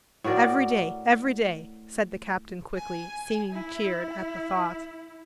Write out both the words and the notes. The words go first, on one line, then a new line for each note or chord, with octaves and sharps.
"Every day, every day!" said the captain quickly, seeming cheered at the thought.
A2 F#4 A#4 D5
G#5
E4